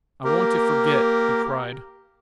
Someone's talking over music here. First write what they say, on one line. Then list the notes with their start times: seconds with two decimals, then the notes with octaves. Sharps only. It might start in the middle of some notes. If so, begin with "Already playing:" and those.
"I want to forget," he cried.
0.24 A#3 G4 A#4